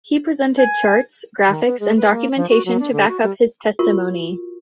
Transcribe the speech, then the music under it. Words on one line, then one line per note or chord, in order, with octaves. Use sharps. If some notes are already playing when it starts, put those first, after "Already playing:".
He presented charts, graphics and documentation to back up his testimony.
G#5
D#3
B3
G#3
B4
A#3
F3
F#4
F#3
D4
D3
F#4
G3
F4 F#4 A#4 C#6